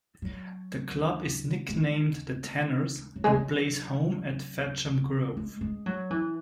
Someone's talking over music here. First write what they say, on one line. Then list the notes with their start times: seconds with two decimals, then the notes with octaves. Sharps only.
The club is nicknamed "The Tanners" and plays home at Fetcham Grove.
0.22 F#3
1.69 G#3
3.16 F#3
3.24 G#3
3.33 F#3
5.37 G#3
5.61 G#3
5.86 F#3
6.10 E3